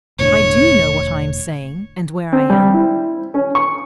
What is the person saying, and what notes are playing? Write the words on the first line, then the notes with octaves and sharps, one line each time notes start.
I do know what I am saying and where I am.
E1 A2 D3 C#5
C4
G3
E4
C#4
C#6